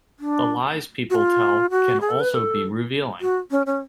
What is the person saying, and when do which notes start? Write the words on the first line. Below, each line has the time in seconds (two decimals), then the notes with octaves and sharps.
The lies people tell can also be revealing.
0.20 D4
1.10 F#4
1.15 F4
1.70 F#4
2.01 G#4
2.11 A4
2.21 B4
2.31 B4
2.35 A4
3.21 F#4
3.51 C#4
3.66 C#4